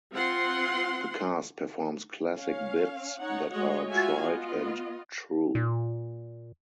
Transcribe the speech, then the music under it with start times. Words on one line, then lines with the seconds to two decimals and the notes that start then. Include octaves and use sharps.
The cast performs classic bits that are tried and true.
0.12 C4 F4 F#5 C6
2.36 C#4 F5
3.20 D#4 C#5 F#5
3.50 G#3 A3 F#4 C#5 D#5 F#5
3.87 F4 F#4 E5 F5 G#5
4.20 B3 F4 D#5
5.55 A#2